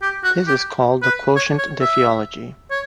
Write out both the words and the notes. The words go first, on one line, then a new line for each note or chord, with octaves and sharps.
This is called the quotient diffeology.
G4
F#4
G4
B4
C#5
C#5
E5
C#5